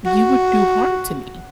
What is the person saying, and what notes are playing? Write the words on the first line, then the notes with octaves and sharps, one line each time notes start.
you would do harm to me
F#4